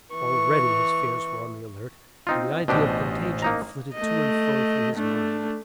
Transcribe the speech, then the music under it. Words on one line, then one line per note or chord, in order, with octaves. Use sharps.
Already his fears were on the alert; and the idea of contagion flitted to and fro through his mind.
E3 C#6
C4 D#4 F4
A1 B2 D4 G4 C5 D#5
A#3 D#4 A#5
A3 D#5
A3 D4